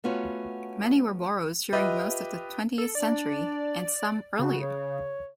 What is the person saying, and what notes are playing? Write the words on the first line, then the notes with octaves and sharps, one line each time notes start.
Many were boroughs during most of the twentieth century, and some earlier.
A3 B3 C#4 F4 F#4 B4
F4 G4 B4 D#5 E5
A4
D4 D5
C#3 F#4
C#5